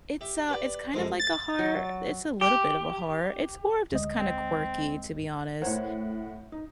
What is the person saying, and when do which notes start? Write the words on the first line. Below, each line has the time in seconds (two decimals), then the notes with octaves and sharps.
it's, uh it's kind of like a horror it's a little bit of a horror, it's more of just kinda quirky, to be honest,
0.21 G4 E5
0.48 G4 B4 D5
0.94 F#2 C3 F3 G#3 A4 A#4
1.20 A6
1.59 F#3
2.41 G4
3.92 D2 G#3 D#5
4.19 C4
5.62 A2 A#4 C5 C#5 F#5
6.52 D#4